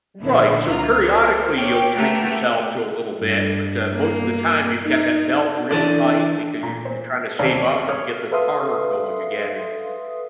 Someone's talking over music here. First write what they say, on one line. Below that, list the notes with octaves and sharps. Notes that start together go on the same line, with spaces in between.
Right, so, periodically, you'll treat yourself to a little bit, but, uh, most of the time you've got that belt real tight because you you're trying to save up and get the car going again and
A#1 D3 D#3 E4
C#2 F4 A#5
A#4 C5
C#5 G5 D6
A3 B3 G4 A#4
G2
A#3
D#4
E3 D4 A4 D5
A#2
C5
A1 D#2 C3 C#5 D5 F5
C#5 F5 D#6 F6
A4 B4 E5 F5 C6 D#6